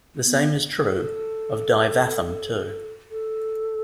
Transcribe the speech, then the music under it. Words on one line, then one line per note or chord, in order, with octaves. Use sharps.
The same is true of Daivatham too.
B3
A4
A4